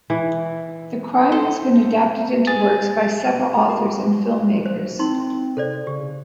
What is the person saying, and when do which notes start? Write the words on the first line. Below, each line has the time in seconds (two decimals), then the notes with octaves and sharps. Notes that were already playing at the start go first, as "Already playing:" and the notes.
The crime has been adapted into works by several authors and filmmakers.
0.10 E3
1.32 A4 C5
2.47 G#4 A6
3.68 F#4 A#4
4.66 C5
4.99 C4 D#4 C6
5.57 C3 A4 C5 D5
5.87 C#3 G4